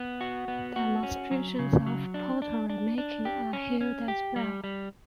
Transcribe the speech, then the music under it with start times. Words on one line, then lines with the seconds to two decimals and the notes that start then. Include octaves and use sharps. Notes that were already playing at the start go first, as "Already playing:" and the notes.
Demonstrations of pottery making are held as well.
Already playing: B3
0.21 F#4
0.48 B3
0.76 F#4
1.03 C#4
1.31 F#3
1.59 C#3
1.87 F#3
2.14 D4
2.42 D4
2.70 D4
2.98 D4
3.25 G4
3.53 C#4
3.81 C#4
4.08 G4
4.36 G3
4.64 G3